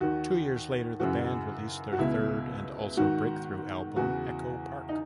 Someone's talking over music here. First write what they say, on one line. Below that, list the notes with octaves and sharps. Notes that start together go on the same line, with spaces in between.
Two years later, the band released their third and also breakthrough album, "Echo Park".
D#2 D#3 F#4
F#2 C#3 E3 F#4
F#4
C#2 B2 E4
G#2 D#3 F#4
E2 C#3 E3 F#4
D#4